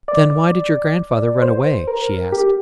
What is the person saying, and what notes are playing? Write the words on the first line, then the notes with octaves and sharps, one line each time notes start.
"Then why did your grandfather run away?" she asked.
D5
C5
A#4
G4